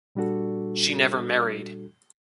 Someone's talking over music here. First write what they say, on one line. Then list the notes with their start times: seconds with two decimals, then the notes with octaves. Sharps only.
She never married.
0.15 A#2 G3 D4 F#4 A4